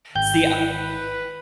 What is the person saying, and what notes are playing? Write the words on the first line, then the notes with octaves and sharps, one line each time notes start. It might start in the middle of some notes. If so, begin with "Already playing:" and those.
See, uh
G#1 G5 G6
B4